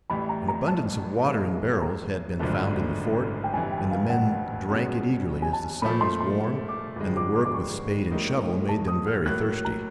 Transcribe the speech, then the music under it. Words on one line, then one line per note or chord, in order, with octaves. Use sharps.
An abundance of water in barrels had been found in the fort and the men drank it eagerly as the sun was warm and the work with spade and shovel made them very thirsty.
A1 A2 E3 G3 B5
A#5
A#5
A5
G#2 E3 G#3
A#5
G#1 F#2 D3 F3 A3
G5
G1 F2 C3 E3 G#5
G5
F5
F#5
F2 C#3 F#3 B3
G#5
A5
A#2 F3 A3 B5
C6
C6
D6
G#1 G2 D3 F3 G#3
D6
D6
D6
C#6
A2 F#3 A#3 D#4
A5
D#6
F6
A2 F#3 A#3 F#6
A#5